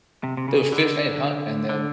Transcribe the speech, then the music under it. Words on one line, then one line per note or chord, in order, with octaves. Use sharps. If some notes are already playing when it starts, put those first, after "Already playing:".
they would fish and hunt and then
C3
C3
C#3
D3
D3